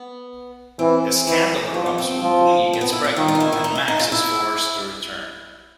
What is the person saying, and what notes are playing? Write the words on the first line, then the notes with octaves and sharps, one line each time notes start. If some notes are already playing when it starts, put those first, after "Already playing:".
A scandal erupts when Boonyi gets pregnant and Max is forced to return.
Already playing: B3
E3 C4
E3
F3 C4
B3
C4
F3
C4
B3
E4
F4
D#3 F4
F4
D#4
E4
E4
D#4
E4
D#4
F4
E4